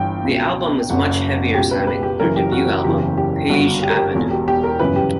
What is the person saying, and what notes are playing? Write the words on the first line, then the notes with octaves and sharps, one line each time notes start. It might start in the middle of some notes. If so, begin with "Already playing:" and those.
The album is much heavier sounding than their debut album "Page Avenue".
Already playing: G1 G2 E3 G5
C#2 B2
F#1 F#2 C#3 F#5
C#2 B2 G4
B4
B4
G4
F#1 F#2 C#3 E3 A#4
G4
F#4
F#4
F#1 E2 C#3 E3 G4
G4
G1 G2 D3 F#4
G4
A#4
G4
E1 E2 B2
G4
G4
A#4
G1 F#2 C#3 E3 B4
G4